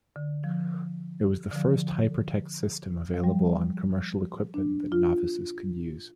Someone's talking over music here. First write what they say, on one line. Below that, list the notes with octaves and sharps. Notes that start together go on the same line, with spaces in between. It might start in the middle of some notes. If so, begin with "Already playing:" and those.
It was the first hypertext system available on commercial equipment that novices could use.
D3
F3
D3
F3
F3
G3
D4
F4